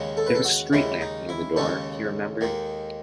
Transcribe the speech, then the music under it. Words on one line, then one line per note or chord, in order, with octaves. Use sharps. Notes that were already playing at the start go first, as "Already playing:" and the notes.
There was a street lamp near to the door, he remembered.
Already playing: D#2 C#3 G#3 C#4
A4
B4
A4
F#4
D#2 C#3 G#3 C#4 E4
D#4
E4
D#2 C#3 G#3 C#4 A4
D#2 D#3 G#3